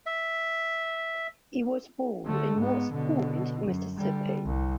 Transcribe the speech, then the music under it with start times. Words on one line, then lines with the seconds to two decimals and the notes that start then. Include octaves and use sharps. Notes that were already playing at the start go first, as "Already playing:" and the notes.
He was born in Moss Point, Mississippi.
0.06 E5
2.25 D3 A3
2.58 G#2 B3
2.93 B2 D3
3.66 F#2
3.97 D3 G3
4.46 C2